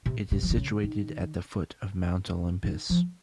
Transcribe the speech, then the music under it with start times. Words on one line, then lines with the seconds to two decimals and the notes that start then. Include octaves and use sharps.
It is situated at the foot of Mount Olympus.
0.06 C3
0.31 C3
0.43 F3
0.50 D#3
0.57 C#3
0.83 D#3
2.64 D#3
2.90 F3